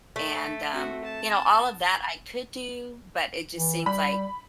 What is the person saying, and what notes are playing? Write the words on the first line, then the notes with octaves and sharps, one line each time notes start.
And, um, you know, all of that I could do, but it just seems like,
A3
C4 F#4
A5
E3
G3 B5